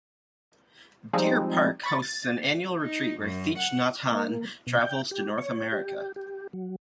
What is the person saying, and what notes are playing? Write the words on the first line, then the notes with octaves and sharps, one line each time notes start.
Deer Park hosts an annual retreat when Thich Nhat Hanh travels to North America.
F3 G3 G#3 C4 D#4
B5 C#6 A6
A6
D#4
F#2
F#5
A#3
B2
G5
G4
C#5
G4
G4
F#3